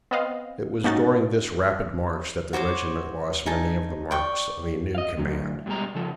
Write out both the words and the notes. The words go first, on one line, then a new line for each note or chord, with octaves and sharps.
It was during this rapid march that the regiment lost many of the marks of a new command.
B3 C4 D#5 F5
G#2 A#3 C#4 D#4 F#4 A6
F#4 C5 C#5 D6
D#4 G#5 A5
D5 G5 C#6
D#5 F5
D2 F#3
G2 B2 G#3 G4 A#5
C#3 F3 A4